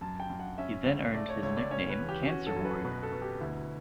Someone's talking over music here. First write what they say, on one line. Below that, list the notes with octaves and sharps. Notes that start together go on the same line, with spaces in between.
He then earned his nickname "Cancer warrior".
F#2 A5
G5
F#2
F#5
C#4 E5
C#2
A3 D5
C#5
C#2 C#5
D5
C#4 C#5
B4
E2
G4
G4
C#4 F#4
A4
F#2
B4
B2 B4
A4
B2
G4
D2 E4